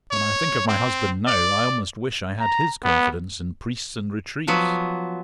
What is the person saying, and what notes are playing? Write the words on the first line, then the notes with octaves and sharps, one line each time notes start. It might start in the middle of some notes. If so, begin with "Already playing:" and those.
When I think of my husband now, I almost wish I had his confidence in Priests and Retreats.
C#5
C4
D5
A#5
B3
F3 F#3 B3